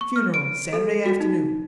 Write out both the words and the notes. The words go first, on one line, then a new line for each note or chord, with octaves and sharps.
Funeral Saturday afternoon.
C#6
F6
D7
A4
F#4
D#4